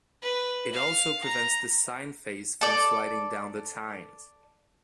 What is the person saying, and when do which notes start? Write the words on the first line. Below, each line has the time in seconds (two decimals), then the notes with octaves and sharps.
It also prevents the sign face from sliding down the tines.
0.22 B4
0.73 F5
1.24 A#5
2.61 A4 D5